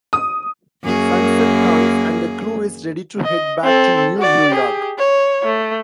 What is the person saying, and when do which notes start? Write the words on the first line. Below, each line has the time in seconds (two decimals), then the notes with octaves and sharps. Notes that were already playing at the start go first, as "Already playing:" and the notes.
Sunset comes, and the crew is ready to head back to New New York.
0.13 D#6
0.83 F#2 A#3 G#4
3.23 D#5
3.63 C4 A4
4.19 F#4 D5
4.51 G4 G#4
4.99 C#5
5.44 A3